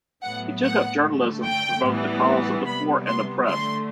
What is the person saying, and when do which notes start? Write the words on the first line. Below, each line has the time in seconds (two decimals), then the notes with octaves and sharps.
He took up journalism to promote the cause of the poor and oppressed.
0.23 A2 F#3 B3 F#5
0.64 F#5
1.05 D3 A3
1.46 G5
1.85 A2 E3 G3 B3
2.66 C3 G3 B3 B5
3.07 C6
3.47 D3 A3 C6